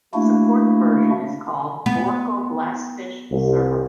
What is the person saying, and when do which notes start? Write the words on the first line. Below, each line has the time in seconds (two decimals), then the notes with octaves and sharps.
The supported version is called Oracle GlassFish Server.
0.14 A3 A#3 D4 E4 F#4
1.86 B3
3.31 C2